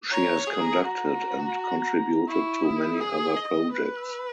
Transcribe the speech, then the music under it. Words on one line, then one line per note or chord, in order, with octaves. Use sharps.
She has conducted and contributed to many other projects.
C#5 A#5
G#4
A#5
F#4 A#5
E4 C#6
D#6
G#4
D#5
B4 F#6
E6